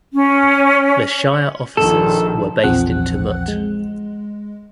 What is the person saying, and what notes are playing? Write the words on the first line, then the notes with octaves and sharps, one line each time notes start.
The shire offices were based in Tumut.
C#4
A#1 D#3 A4
A#1 E2 F3 C4 F#5 F#6
G#3